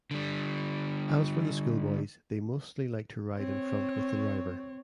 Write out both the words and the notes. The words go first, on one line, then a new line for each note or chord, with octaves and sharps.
As for the schoolboys they mostly like to ride in front with the driver.
D3 G3
C4 C#5